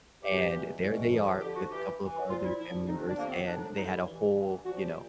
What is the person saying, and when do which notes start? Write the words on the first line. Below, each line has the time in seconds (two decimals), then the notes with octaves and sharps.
and there they are with a couple of our other family members, and they had a whole, you know,
0.22 G2 E3 G4
0.52 E2 B2
0.82 E2 B2
1.10 F2 D3 F3
1.40 F2 D3 F3 G4
1.55 F#4
1.70 G2 E3 G4
1.99 G2 E3
2.29 F3 F4
2.32 A#2
2.43 E4
2.58 A#2 F3 E4
2.87 F2 C3 D#3 D#4
2.97 D4
3.07 D4
3.17 F2 C3 D#3 A#3
3.26 C4
3.32 B3
3.46 F#2 D3 F3 D4
3.57 D#4
3.61 D4
3.76 F#2 D3 F3 D#4
3.91 E4
4.05 G2 E3
4.35 G2 E3
4.64 A#2 F3 F#4
4.79 G4
4.94 A#2